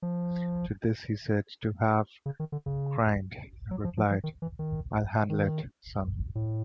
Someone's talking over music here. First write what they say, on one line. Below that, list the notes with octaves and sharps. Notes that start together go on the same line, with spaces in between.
To this, he is said to have grinned and replied, I'll handle it, son.
F3
C#3
D#3
D3
C#3
F#3
F3
F3
F3
D#3
E3
D#3
D#3
A2